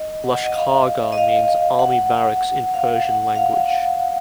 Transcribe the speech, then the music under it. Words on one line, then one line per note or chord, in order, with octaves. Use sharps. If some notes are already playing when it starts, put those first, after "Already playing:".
Lashkargah means "army barracks" in Persian language.
Already playing: D#5
F#5
D#5
F5
D#5
F5
F#5
F5
F#5
F5